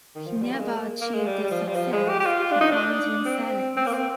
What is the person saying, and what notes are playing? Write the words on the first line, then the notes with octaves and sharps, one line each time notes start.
He never achieved the success he found in silents.
D#3
F3
G3
A#3
G#3
A#3
A#3
G#3
G3
G3
F3
G3
F3
G#3
G4
G4
F4
D4
D#4
D4
C4
C4
A#3
C4